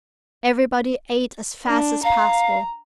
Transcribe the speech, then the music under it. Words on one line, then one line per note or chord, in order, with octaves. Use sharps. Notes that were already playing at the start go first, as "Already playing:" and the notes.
Everybody ate as fast as possible.
D4
F5 A#5